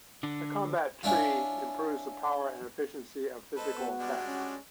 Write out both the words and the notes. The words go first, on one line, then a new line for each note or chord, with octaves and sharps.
The Combat tree improves the power and efficiency of physical attacks.
D3 D4
C#4 D4 E4 F4
A4 B4 C5 D#5
B3 F#4
G3 G#3 D4
C#4